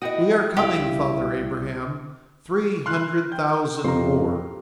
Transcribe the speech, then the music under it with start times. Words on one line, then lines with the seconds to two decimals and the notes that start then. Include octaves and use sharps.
"We are coming, Father Abraham; Three hundred thousand more."
0.02 E4 F#4 D#5 G5 D#6
0.57 C2 E4 G4 D5 F5 E6
2.86 E4 C6 F6 F#6
3.32 G5 G6
3.84 F2 G4 A#5 C6